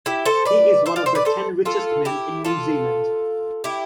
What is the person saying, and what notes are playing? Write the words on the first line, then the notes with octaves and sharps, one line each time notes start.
He is one of the ten richest men in New Zealand.
E4 G4
A4 C5
B4 D5
C5 E5
D5 F5
C5 E5
B4 D5
A4 C5
F4 A4
E4 G4
F4 A4
E4 G4